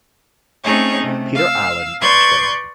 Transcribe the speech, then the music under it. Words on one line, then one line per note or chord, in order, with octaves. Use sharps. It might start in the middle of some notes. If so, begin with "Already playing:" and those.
Peter Allen is chairman.
A3 C4 C#4 D#4 G#4 C#5
C3 A3
F5 E6
B4 D5 C6 C#6 G6 G#6